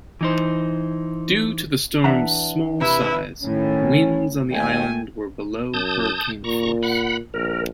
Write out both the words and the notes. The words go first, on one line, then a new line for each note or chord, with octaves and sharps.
Due to the storm's small size, winds on the island were below hurricane force.
E3 D#4 C5
E3 D4 E5 F#5 A#5
C3 E4 B4
A2 D#3 C#4
D#2 A3 G5 G#5
F#2 A5 D#6 G6
A#2 A#5 C#6
F#5 B5
A#1 A#4